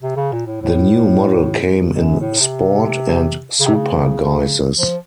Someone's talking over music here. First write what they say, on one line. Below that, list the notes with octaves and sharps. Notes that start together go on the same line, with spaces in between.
The new model came in "Sport" and "Super" guises.
C3
C#3
A#2
A2
A2
F2
F#2
A2
C3
C#3
C3
C#3
F3